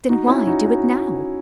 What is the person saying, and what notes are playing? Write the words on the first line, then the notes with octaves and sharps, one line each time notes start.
"Then why do it now?"
D#4 F#4
C#4 E4
D#4 F#4
D#4 F#4